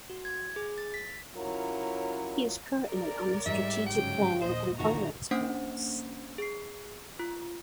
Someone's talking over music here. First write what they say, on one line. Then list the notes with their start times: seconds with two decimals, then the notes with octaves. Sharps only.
He is currently on the Strategic Planning and Finance committees.
0.10 F#4
0.25 G#6
0.56 G#4
0.78 A6
0.94 B6
1.36 F#3 C#4 E4 F4 A#4
2.85 A#4 D5
3.46 G#2 G3 E5
3.87 G1 C#3 F#3 G5
4.42 A#1 D#2 C5 D#5
4.79 A#2 D3 D#3 F#4 A#5
5.31 A#3 C#4 D4 C5 F#5
6.38 G#4 C7
7.19 F4